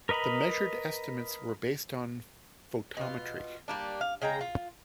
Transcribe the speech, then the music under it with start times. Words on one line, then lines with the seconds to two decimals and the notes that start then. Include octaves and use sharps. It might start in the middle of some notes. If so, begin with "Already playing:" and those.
The measured estimates were based on photometry.
0.09 A#4 B4 D#5 A#5 B5
2.97 B2 F4
3.68 G3 A#3 D4
4.01 F5
4.22 C#3 G#3 G5 A#5
4.41 F4